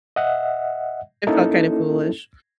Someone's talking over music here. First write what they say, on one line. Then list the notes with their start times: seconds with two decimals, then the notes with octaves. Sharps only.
It felt kind of foolish.
0.16 D#5 E5 F#5
1.27 A#3 C#4 D#4 E4 A4